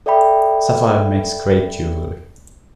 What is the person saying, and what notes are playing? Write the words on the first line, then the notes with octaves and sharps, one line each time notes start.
Sapphire makes great jewellery.
A4 D5 E5 G5 B5